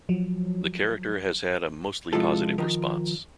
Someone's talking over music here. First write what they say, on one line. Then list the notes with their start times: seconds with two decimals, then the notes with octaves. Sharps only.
The character has had a mostly positive response.
0.09 F3 F#3
2.13 C3 F3 G#3 E4 F4 A4
2.58 D#3 F3 A#4